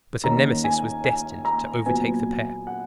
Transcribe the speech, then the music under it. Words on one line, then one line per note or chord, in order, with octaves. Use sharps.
But a nemesis was destined to overtake the pair.
D#2 D#3 A#3 C#4 A#5
G#5
G#5
A#5
A#2 F#3 B3 G#5
F#5